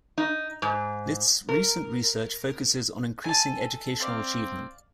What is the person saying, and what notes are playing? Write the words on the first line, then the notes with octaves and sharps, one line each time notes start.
List's recent research focuses on increasing educational achievement.
D#4
G#2
A#4
A4 G#5 A5
C4 D5 F5